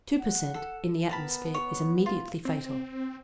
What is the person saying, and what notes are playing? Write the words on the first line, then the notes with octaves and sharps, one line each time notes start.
Two per cent. in the atmosphere is immediately fatal.
F#5
A4
B3 A#4 A5 B5
C#5
F4
C4